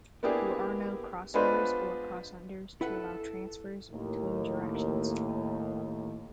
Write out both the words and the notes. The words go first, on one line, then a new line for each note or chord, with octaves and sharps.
There are no crossovers or crossunders to allow transfers between directions.
A#3 B3 D4 E4 G4 G#4
G#3 B3 D4 F4 B4 C5
E4 A4 B4 F#5
D#2 A2